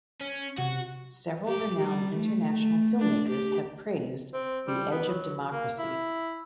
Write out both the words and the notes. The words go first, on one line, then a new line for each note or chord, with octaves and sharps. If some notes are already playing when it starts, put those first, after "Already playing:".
Several renowned international filmmakers have praised The Edge of Democracy.
C#4
C3 F#4
G4
G3
A3
A3
D4
G4
C4
G3
B3
F#3
A#3
E4